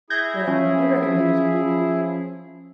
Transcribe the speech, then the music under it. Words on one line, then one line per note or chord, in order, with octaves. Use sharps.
Well, I reckon he was blue.
E4 G#4 G6 G#6 A#6
F3 C#4